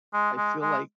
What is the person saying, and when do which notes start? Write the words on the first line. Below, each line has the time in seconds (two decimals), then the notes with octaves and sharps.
I feel like
0.13 G#3
0.37 G#3
0.61 G#3